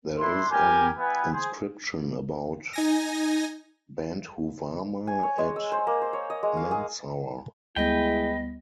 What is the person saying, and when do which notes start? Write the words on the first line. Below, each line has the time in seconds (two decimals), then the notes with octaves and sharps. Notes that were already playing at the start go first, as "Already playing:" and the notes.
There is an inscription about Bandhuvarma at Mandsaur.
0.20 D4 E4 C6
0.51 G3 G4 A#4 G#5
0.98 G3 B3 E4 B4 G#5
1.32 G#4 C5
2.73 D#4 G#5 A#6
5.07 G#5
5.23 C#5
5.38 G#3
5.56 E6
5.72 C5
5.87 A#3
6.02 C5
6.13 C#5
6.30 D#5
6.43 G#3
6.56 F5
6.71 G#4
7.76 D2 G3 G#3 B3 E4 B4 D#5 G5